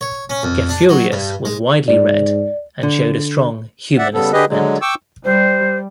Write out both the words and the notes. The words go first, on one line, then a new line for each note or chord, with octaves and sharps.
Gaffurius was widely read, and showed a strong humanist bent.
C#5
C#4
F2
D4
F#3
G2
G#3
G#2 D5
D3
D5 E5 F#5
C#3 G3 B3 A4
D3 G4 G#4 B4 D#5
D3 F#3 G#3
G5 C#6 D6 E6
G3 C5